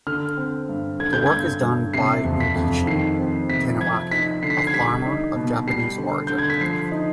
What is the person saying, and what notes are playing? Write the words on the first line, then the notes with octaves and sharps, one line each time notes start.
The work is done by Unkichi Taniwaki, a farmer of Japanese origin.
D3 F6
C4
G2
D3 G#6
G6
G#6
G2
G2
C3 C7
F2
B6
F2
D#3 C7
C4
C3 B6
F3 G#6
D#4 B6
D3 C7
B6
C7
G#6
G3 B6
D#4
B2
G3 C7
D3
D3 G6
G#6
B6
F3 C7
D#4